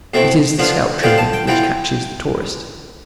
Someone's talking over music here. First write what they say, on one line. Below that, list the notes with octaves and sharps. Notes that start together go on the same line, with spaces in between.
It is the scalp trimming which catches the tourist.
B2 A3 C4 E4
D3 F3 B3 F4
D3 F3 B3 F4 G5
A5
G5
E3 B3 F4 G5